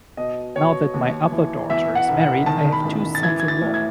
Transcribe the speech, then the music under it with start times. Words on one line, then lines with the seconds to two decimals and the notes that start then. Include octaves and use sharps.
Now that my other daughter is married I have two sons-in-law.
0.17 B2 D#5
0.56 B2 C#5
0.94 D#2
1.32 E3
1.70 E2 E5
1.95 F#5
2.09 E1
2.21 F#5
2.46 D#3 A5
2.72 B5
2.85 A1
3.15 A6
3.23 E3 G#6
3.40 G#6
3.48 A6
3.61 A2
3.74 G#6